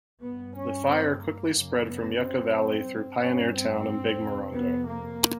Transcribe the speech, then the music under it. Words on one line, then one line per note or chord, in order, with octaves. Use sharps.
The fire quickly spread from Yucca Valley through Pioneertown and Big Morongo.
G2 B3
C#4
C4
A#3
F#2 C#3
B3
C4
G2
C#4
C4
F2 C3
B3
A#3